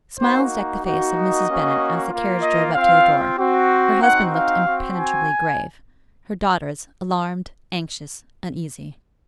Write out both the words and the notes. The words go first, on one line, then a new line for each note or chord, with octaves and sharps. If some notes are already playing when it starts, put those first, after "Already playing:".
Smiles decked the face of Mrs. Bennet as the carriage drove up to the door; her husband looked impenetrably grave; her daughters, alarmed, anxious, uneasy.
A#3 D#4 F#4 C5
A#3 D#4 F#4
D#5
A#3 C#4 F#4
A#3 F4
D#5
C4 F4 F5
C4 F#4
C4 D#4 F#4 F#5
F5
C4 F#4
G#5